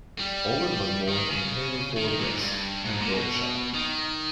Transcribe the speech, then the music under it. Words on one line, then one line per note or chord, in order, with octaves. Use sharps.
Owen was born in Haverfordwest, Pembrokeshire.
G3
D#3
C#3
D#3
D#3
A#2
G#2
G2
G#2
A#2
B2
D#3